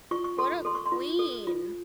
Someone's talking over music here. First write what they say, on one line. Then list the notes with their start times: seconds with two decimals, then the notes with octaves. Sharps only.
What a queen!
0.11 F4 C#6
0.24 C#6
0.38 A4 C6
0.52 B5
0.65 A4 C6
0.75 C#6
0.86 C6
0.92 F4
1.19 A4
1.47 F4